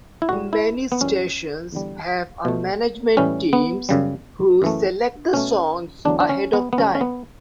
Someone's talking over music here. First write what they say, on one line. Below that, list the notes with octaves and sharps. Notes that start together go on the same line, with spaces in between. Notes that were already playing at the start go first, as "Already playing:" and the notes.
Many stations have a management teams who select the songs ahead of time.
E4
A2 G3 F#4
E4
B3
F#2 E3 G3 C#4
E2 D3 G3
B2 A3
A2 E3 G3 C#4
B3
F#2 C#3 G3
F#2 E3 A3
B2 A3 C#4
E2 D3 F#3 A3 D4
D4
C#4
B3
B3
F#2 C#3 F#3 A3 C#4
C#4
B3